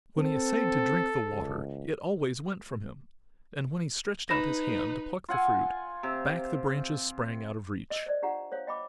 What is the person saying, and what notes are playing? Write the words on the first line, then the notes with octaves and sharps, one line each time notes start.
When he essayed to drink the water it always went from him, and when he stretched out his hand to pluck the fruit, back the branches sprang out of reach.
C4 A4
C#2
D#4 B4 B5 A#6
F4 F#5 G#5
C3
D#5 E6
C5 D5
D4 F4 G4 F#5 A#5
C5 C#5 F5
D#5 G5 B5 D6